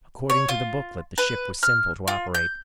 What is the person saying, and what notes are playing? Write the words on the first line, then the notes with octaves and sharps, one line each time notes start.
According to the booklet, the ship was simple to operate.
C#5
F4
B4
F6
F4
G6